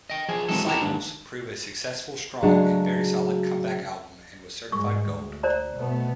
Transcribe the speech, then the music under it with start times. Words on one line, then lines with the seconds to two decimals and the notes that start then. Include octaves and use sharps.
"Cycles" proved a successful, strong and very solid comeback album and was certified Gold.
0.10 D#5 G5
0.29 F3 G#4 G#5
0.48 E3 F#3 G#3 C4 D#4 A4
0.65 F2 E4 G4 F#5 A5 A#5
0.81 D#2 G#2 D4
2.42 C#3 F#3 G#3 A3 D4 F#4
4.72 G#2 G3 G#3 C#6
5.09 D2
5.43 C5 D5 A#5
5.77 B2 A3 B3